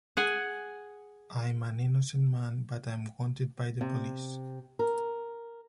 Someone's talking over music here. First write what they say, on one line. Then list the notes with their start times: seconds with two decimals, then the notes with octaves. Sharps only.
I’m an innocent man, but I’m wanted by the police.
0.17 G#4 F#5 G#5
3.81 C3
4.79 A#4